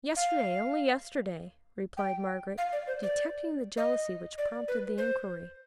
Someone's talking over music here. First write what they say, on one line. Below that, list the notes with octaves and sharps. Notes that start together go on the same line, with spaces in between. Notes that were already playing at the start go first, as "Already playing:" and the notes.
'Yesterday, only yesterday,' replied Margaret, detecting the jealousy which prompted the inquiry.
F5
G5
F5
D5
C5
D5
D#5
D5
B4
C5